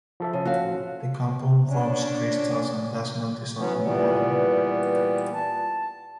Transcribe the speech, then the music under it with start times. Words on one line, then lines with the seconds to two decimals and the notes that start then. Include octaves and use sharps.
The compound forms crystals and does not dissolve in water.
0.20 F3 A4 E5
0.33 C#3
0.45 F#4 F5
1.67 C#4 D4
3.57 E3 F#3 B3 C#4
3.82 A#2 E3 G3 B3
5.34 A5